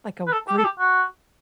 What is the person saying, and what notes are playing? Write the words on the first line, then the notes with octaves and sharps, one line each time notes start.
Like a gr
B4
A4
G4
A4
G4
F#4